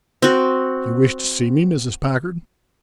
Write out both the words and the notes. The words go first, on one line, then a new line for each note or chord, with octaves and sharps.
"You wish to see me, Mrs. Packard?"
C4 F#4